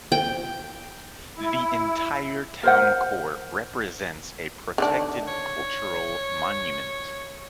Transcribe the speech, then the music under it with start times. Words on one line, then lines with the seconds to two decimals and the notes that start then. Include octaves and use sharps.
The entire town core represents a protected cultural monument.
0.12 G5
1.37 E4
2.63 A#4 C5 F#5
4.78 D3 D#3 D4
5.27 C#5